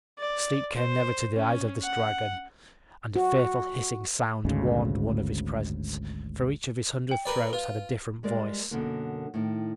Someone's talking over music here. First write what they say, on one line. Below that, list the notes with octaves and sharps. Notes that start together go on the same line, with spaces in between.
Sleep came never to the eyes of this dragon and a fearful hissing sound warned one of his presence, for each of his hundred throats had a different voice.
D5
C5
C#4
F#5
F#4
G#1 D2 G#2 C#3
G5 F#7
A#4 B4 D5
F4 B4
G3 G#3 A#4 D5
F#2 B2 D3 A#3
A2 D#3